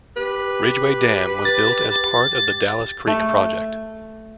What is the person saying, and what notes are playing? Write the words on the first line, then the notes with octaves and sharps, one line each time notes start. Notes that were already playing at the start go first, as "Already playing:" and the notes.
Ridgway Dam was built as part of the Dallas Creek Project.
G4 B4
A6
A3